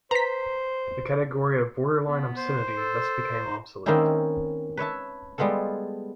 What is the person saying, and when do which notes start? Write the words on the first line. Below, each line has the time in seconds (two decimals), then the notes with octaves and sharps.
The category of "borderline obscenity" thus became obsolete.
0.11 B4 C5 A#5 B6
2.08 B3
2.37 C5
2.77 A4
3.46 D#4
3.86 D#3 A#3 C4 C#4 D#4 E4
4.77 B4 C#5 E5 A5
5.38 G3 G#3 B3 F4 A4